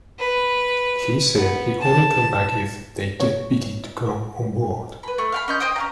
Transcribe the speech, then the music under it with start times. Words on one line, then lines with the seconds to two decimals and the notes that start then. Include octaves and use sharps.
He said he'd only come back if they'd get Vikki to come on board.
0.19 B4
1.34 B3
1.81 A5
3.20 C#5
5.03 B4 B5
5.18 A3
5.32 F5 G5 B5
5.48 C#4 D#5 C6 G6
5.60 C5 D#5 G5 D#6
5.76 C#4 F5 A#5